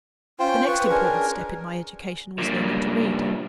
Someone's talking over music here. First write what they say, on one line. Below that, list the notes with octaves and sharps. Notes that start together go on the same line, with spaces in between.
The next important step in my education was learning to read.
C#4 F4 C5 G5
B4 C#6
C#4 D4 G#4 A#4
G2 A#2